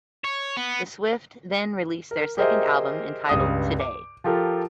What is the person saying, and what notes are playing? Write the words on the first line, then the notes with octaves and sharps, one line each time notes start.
The Swift then released their second album entitled "Today".
C#5
B3
A#4
G4 G#4 A#4 C5 D#5 E5
C#2 G2 D#6
D6
F3 F4 G4 A4 A#4